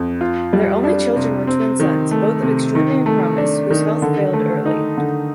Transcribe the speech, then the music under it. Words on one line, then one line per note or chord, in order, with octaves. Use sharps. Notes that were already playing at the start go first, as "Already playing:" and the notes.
Their only children were twin sons, both of extraordinary promise, whose health failed early.
Already playing: F2
F4
G3
D4
C3
C4
D#3
A3
C3
D#3
A3
D4
D#3
D3
A3
D#4
D3